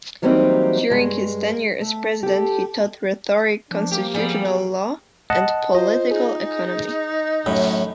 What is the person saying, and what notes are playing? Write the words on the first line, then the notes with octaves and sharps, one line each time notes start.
During his tenure as President, he taught Rhetoric, Constitutional Law, and Political Economy.
E3 F#3 G3 A#3 C4 D#4
G2 G#3
A3
G4 A4
F3 D4
A#3 G4
G3 B3 G#4
D#5 F#5 A5
F4 C5 D#5
D#4 G#4
F#2 A2